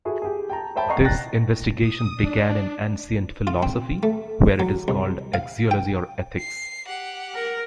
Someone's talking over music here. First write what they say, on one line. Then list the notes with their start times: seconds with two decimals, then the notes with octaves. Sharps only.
This investigation began in ancient philosophy, where it is called axiology or ethics.
0.05 E4 F#4 G#4 A4
0.22 G4 G#4
0.50 G5 A5 A#5
0.75 C5 C#5 E5 G5 A5 B5
0.88 D5 D#5 F#5 A#5 C#6 C7
1.05 G5 F#6 A6 A#6
1.79 D#6
2.15 D4
3.47 F4
3.63 C4
4.03 A3
4.60 F#3
4.88 C2
5.34 F5
5.71 G5
6.39 C7
6.86 G4 F#5
7.35 A#4